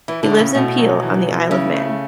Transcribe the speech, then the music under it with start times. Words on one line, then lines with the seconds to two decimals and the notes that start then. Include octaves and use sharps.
He lives in Peel on the Isle of Man.
0.08 E3 E4
0.23 D3
0.31 A2
0.39 C#3
0.55 B2 A3
0.78 F#3
1.03 E3
1.27 E3
1.50 C#3 E4
1.74 A3